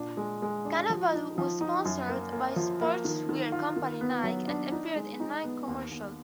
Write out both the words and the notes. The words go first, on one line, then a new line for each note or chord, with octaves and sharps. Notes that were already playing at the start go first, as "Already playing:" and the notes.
Cannavaro was sponsored by sportswear company Nike and appeared in Nike commercials.
Already playing: A#2 D4
G#3
G#3
D4
F3
D#4
F3
D#4
F#2
A#3
A#3
F3
A#3
D#3
D#3
F4
D#3
B3
F#3
D4
D#4
G#3
D#4
B3
D#2
D#2